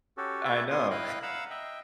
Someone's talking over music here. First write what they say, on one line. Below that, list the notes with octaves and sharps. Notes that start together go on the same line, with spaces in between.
I know.
C#4 F#4 G4 A4
F#4 G#4 B4 D5 E5
B3 C#4 F4 G#5 C6 D#6
E4 D#5 F5 G5 F#6
F5 F#5 A#5 B5 E6
D#5 E5 G5